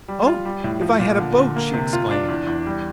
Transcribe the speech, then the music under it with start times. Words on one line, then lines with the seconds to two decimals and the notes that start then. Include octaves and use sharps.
"Oh, if I had a boat!" she exclaimed.
0.08 G3
0.27 F4
0.45 G3
0.64 A2
0.82 F3
1.00 A#2
1.19 D3
1.37 D3
1.56 A#3
1.74 C3
1.93 F4
2.11 D4
2.29 E2
2.47 E2
2.67 G3